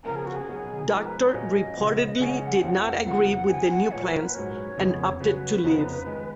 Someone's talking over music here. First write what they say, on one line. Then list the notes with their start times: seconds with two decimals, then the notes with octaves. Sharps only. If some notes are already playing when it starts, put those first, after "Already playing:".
Doctor reportedly did not agree with the new plans, and opted to leave.
0.05 C#3 F3 B3 A#4
0.16 G#4
0.26 F#4
0.36 G#4
0.48 B2 F#3 B3 D#4
0.91 F3 G#3 D#4 A#4
1.06 B4
1.19 C#5
1.34 A#2 F#3 A#3 C#4 G#4 D#5
1.77 C#3 F3 B3
2.20 C#3 G#3 C#4 G#4 F#5
2.63 F2 F3 A#3 F4
3.06 F2 C#3 F3 B3 D#4 F#5
3.49 F3 B3 D#4 G#4 G#5
3.70 F#5
3.92 A#2 F3 G#3 B3 C#5
4.03 A#4
4.13 B4
4.34 G#2 F#3 C#4 F#4 A#4 C#5
4.78 F2 C#3 G#3 B3
5.20 C#3 F#3 B3 F#4 B4
5.63 F2 C#3 F3 B3 D#4
6.07 D#3 G#3